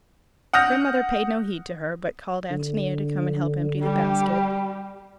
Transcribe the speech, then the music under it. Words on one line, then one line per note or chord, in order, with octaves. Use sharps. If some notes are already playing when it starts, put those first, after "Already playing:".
Grandmother paid no heed to her, but called Antonia to come and help empty the basket.
F#5 D#6 F6 G6 A#6 F7
D3
G3 G4